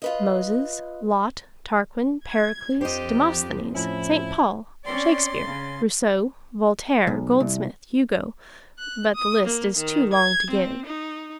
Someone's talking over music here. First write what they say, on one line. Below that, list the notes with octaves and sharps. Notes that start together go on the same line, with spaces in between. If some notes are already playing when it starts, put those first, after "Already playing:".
Moses, Lot, Tarquin, Pericles, Demosthenes, Saint Paul, Shakespeare, Rousseau, Voltaire, Goldsmith, Hugo--but the list is too long to give.
F4 B4 D#5
G#6
F2 D4 G4 C5 D#5
A2 F3 C#4 E4
C4 C#4 D5 C6 A6
C#3
B1
C2
F#6
D#6
A#3
D#3
G#6
C4
D#4